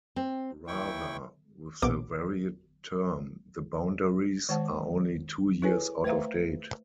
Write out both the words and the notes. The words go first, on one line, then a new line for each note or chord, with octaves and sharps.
Rather, with the varied term, the boundaries are only two years out of date.
C4
D#2 E3 E4 G5 C#6
A#1 B2 D6
D#3 G#3 C5 F#5 A5
E4 G#4 A4 B4 C#5 G#5
A3 B4 C5 E5 F5 A#5